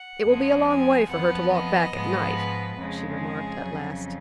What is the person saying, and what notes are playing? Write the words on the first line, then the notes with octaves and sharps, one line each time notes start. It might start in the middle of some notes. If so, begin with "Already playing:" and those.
'It will be a long way for her to walk back at night!' she remarked, at last.
Already playing: F#5
F2 F3 G#3
G#5
F2 F3 B3 F#5
D#5
G#2 F3 G#3 B3
B4
F2 C#3 G#3
G#4
F2 C#3 F#3